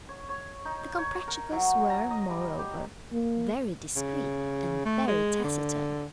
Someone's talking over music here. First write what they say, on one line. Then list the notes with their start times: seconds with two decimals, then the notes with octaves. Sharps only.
The Comprachicos were, moreover, very discreet and very taciturn.
0.09 C#5
0.29 C#5
0.65 D#4
0.98 C#5
1.28 A#4
1.52 F#3
1.90 A#5
2.11 D#5
2.30 G3
2.59 G4
3.12 A#3
3.96 C#3
4.85 A3
5.08 G#3
5.44 D3